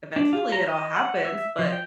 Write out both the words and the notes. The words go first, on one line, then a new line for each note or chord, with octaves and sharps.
eventually, it all happens, but
D4
F4
A#5
D#5
F#5
E5
F3
G5